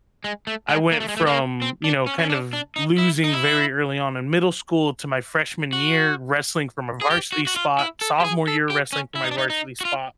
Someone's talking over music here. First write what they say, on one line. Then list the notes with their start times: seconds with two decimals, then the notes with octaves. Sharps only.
I went from, you know, kind of losing very early on in middle school to my freshman year wrestling from a varsity spot, sophomore year wrestling for my varsity spot,
0.24 G#3
0.47 A3
0.69 G#3
0.92 A#3
1.00 A3
1.09 G#3
1.17 A3
1.27 A#3
1.62 C4
1.84 D4
2.06 C#4
2.19 C#4
2.30 D4
2.53 D4
2.76 D#4
2.98 E4
3.24 D#4
3.33 E4
5.73 F#4
7.01 G#4
7.11 G4
7.32 F#4
7.47 F#4
7.56 F4
7.79 E4
8.01 A4
8.20 G4
8.24 G#4
8.48 A4
8.70 G4
8.93 C#4
9.15 E4
9.24 D#4
9.31 D4
9.38 D#4
9.50 D#4
9.81 F#4
9.85 F4